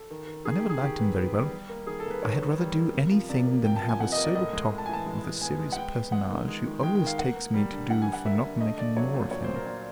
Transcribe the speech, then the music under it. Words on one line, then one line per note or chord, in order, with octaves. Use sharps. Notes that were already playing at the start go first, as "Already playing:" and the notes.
I never liked him very well; I had rather do any thing than have a sober talk with a serious personage, who always takes me to do for not making more of him.
Already playing: A4
D#3
D#3
D#3 G#4
G4
D#3
G#4
D#3 G4
B3
B3
G3
G3
A#3
D#3 G#4
A4
A#3
B4
D#3 C#5
D#3
G3
A#3
C3
F3
C3 D5
A#3
C3 G5
A5
F3
G#5
C3 F#5
D#5
A#3
D5
A2 D#5
G#3
A2
A5
G#5
E3 A5
G#3
G#3
B3 G#5
G#3
F#5
B3 G5
B3
G#3 F#5
D#3
G#3
D#3
G#3 G5
G5
D#3
F5
A#3 F#5
A#3
G3
D3
G3 F#5
G#5
G3
F#5
A#3 E5
D3
A3 D#5
A#2 D5
F#3 C#5
A#2
A#2 C#5
C5
A#2
A#4
A#2